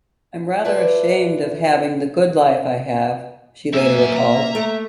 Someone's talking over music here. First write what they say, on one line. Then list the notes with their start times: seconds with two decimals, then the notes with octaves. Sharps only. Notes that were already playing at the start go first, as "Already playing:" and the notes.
I'm rather ashamed of having the good life I have, she later recalled.
0.65 F4 B4 D5 E5 A5
3.74 F#2 A#3 E5 G#5
4.17 A#5
4.55 A3